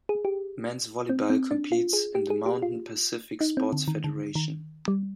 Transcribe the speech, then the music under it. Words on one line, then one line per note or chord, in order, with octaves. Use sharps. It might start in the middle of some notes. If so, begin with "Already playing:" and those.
Men's Volleyball competes in the Mountain Pacific Sports Federation.
G#4
G4
C4
C4
D4
F4
G#4
G4
G#4
G4
F4
D#4
C4
D3
D#3
D3
D#3
G3